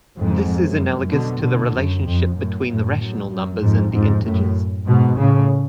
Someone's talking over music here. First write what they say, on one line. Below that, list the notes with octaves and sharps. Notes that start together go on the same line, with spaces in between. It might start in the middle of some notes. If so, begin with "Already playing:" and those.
This is analogous to the relationship between the rational numbers and the integers.
F2 G#2
F#2
B2 D3
B2 D3
F#2
F2
F#2 A2
F#2 A2
F#2
F#2
F2 G#2
F2 G#2
F#2 A2
G#2 B2
A2 C#3